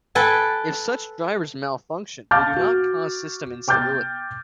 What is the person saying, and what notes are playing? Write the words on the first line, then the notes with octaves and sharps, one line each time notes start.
If such drivers malfunction, they do not cause system instability.
A4 B4 G5 G#5
F5 A5 D6 F6 G6 A6
F#4
G5 D6 F6 G6 A6